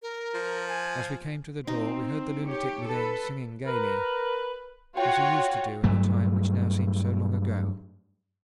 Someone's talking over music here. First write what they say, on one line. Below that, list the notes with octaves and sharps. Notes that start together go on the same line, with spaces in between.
As we came to the door we heard the lunatic within singing gaily, as he used to do in the time which now seems so long ago.
A#4
F3
G#5
C4 D#4
G4 C#5
A4 B4
A#4 B4
F4 F#4 C#5 G5
G2 F#3 A3